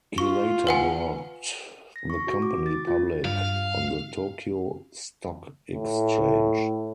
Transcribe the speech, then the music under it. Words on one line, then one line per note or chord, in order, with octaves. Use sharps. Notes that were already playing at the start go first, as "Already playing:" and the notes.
He later brought the company public on the Tokyo Stock Exchange.
F4 C#6
B4 F#5 G#5
A#6
C#6
F#4
D6
A6
F4
G2 F5
A2